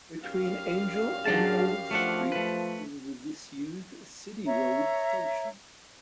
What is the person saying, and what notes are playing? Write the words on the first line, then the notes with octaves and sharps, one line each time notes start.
Between Angel and Old Street is the disused City Road station.
F#2 G4 F5
F#3 D4 G#4 A5
F3 A3 D4 F#5
A3 B4
C#5 E5 A#5